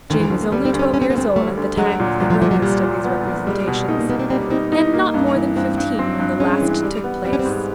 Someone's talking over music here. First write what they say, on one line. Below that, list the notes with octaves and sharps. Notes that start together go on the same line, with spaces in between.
Jane was only twelve years old at the time of the earliest of these representations, and not more than fifteen when the last took place.
D2 D#3
E3
D2 F3
A#3
G3 B3
C4
D2
C#4
D2 C#4
C4
B3
D2 C4
G3 A3
D2
F#3 G#3
A#2
C2 F3
F3
A#2 F3
F#3
A#2 G3
A#2
B3
A#2
G3 G#3
B2
A3 D#4
A#3
A#3 B3
C4
G3 C4
C#4
C4 D#4
B3 D#4
A#3
G2
E3
G2 C4
G2
C4
G2
G#3 C#4
E3
G3
B3
G3 C4
C#4
C4
G#2